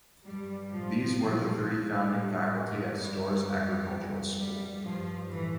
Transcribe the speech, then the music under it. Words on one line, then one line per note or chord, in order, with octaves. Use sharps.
These were the three founding faculty at Storrs Agricultural School.
G2 G3
A2 F3
A#2 F3
A2 G3
G2
G2 G3
F2 G3
F2
G3
G2 F3
A2 E3